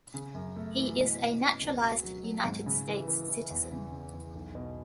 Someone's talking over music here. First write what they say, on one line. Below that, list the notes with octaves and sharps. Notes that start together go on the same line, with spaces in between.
He is a naturalized United States citizen.
C#3
F#2
A3
E3
B2
B2
C#4
C#2
F#4
F#3
F#3
G#2
C#3
E3
E3
E3
E2
C#3
C#3
E2
B1
B2